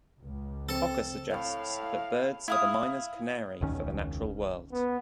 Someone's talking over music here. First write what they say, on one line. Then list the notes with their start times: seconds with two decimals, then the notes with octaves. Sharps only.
Cocker suggests that birds are the miner's canary for the natural world.
0.23 C#2
0.69 C4 A4
1.30 A2 F5
2.48 E4 F5 D#6
3.61 E1 C#2 D#3 C#4
4.72 B3